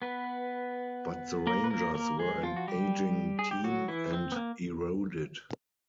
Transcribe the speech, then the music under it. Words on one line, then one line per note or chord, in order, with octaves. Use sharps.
But the Rangers were an aging team, and eroded.
B3 B4
A#3 A#4
B4
A#3 A#4
A#3 A#4
G#3 G#4
F3 F4
F#4
G3 G4
G#4
G4
F#3 F#4
E3 E4
C4
B3
A#3